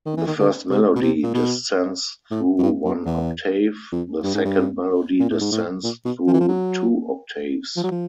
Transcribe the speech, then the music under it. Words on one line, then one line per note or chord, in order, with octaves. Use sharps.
The first melody descends through one octave, the second melody descends through two octaves.
D#3
E3
D#3
D3
C3
B2
C3
A#2
B2
A2
F#2
G2
F#2
E2
F2
G2
G#2
G2
A#2
A2
G#2
A2
A#2
B2
F3
E3
F3
F#3
F3
F#3
F3